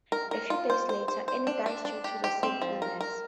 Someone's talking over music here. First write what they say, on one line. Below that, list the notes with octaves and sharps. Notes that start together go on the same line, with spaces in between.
A few days later, Anne died due to the same illness.
A#4
A#4
F4
C5
C5
C5
C5
D4
D4
D4
G4
G4
C4
F3
A#4
A#4